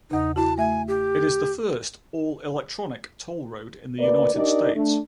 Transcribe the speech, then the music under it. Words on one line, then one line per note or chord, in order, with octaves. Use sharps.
It is the first all-electronic toll road in the United States.
E2 C#3 D#4
E4 F#4 A5
A3 E5 G#5
G4
D2 A#3 B4 D5
D4 D#4 G4 A#4 D5 D#5
A3 D4